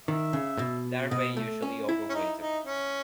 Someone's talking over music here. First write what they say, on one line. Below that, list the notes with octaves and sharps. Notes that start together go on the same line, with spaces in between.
Larvae usually overwinter.
D#3 E5
C#3
B2
B2 D#5
A3
C#4
E4
C#4
D#4
D#4
C#4